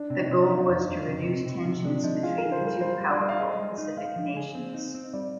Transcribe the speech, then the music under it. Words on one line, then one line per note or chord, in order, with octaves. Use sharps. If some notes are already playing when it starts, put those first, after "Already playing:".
The goal was to reduce tensions between the two powerful Pacific nations.
Already playing: D4
C3
D#4
C3
F3 F4
F2
D4
F2
C3 D#4
C3
C4
C3
C3 C4
G#3 D4
F3 D#4
F4 G#4
G#4 A#4
C5
G3
A#4
G3 C5
G3
D5
G3
F5
G#4 D#5
G#3
D#4
G#3 F5
F3
G#4
C4
D#4
C4
G3 D5